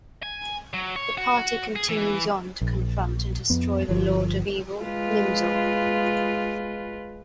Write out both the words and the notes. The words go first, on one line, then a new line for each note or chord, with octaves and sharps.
The party continues on to confront and destroy the lord of evil, Nimzo.
G#5
F#3
C#5
F#4
G#4
E3
A#1
F2 B3
G1 F3
G#3 F4 B4